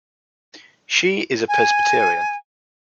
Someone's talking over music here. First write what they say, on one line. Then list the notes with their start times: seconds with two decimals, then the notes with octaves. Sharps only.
She is a Presbyterian.
1.48 G#5